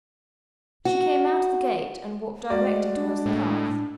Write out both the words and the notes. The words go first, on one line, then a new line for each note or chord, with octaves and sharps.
She came out of the gate and walked directly towards the path.
F#4
G#3 A3 F#4 D5
D4
A2